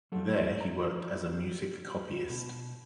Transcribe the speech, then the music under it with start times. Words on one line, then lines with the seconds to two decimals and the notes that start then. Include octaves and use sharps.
There he worked hard as a music copyist.
0.12 F#3 A4
0.61 A#5
2.29 B2